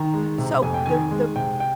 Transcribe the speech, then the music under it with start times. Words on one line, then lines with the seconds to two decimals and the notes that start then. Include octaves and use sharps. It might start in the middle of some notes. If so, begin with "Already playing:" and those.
So, the the
Already playing: D#3 A#5
0.14 G#3
0.38 C3
0.62 F2 G#5
0.74 G5
0.86 D#3 G#5
1.11 G#3
1.36 C3 G5
1.60 G5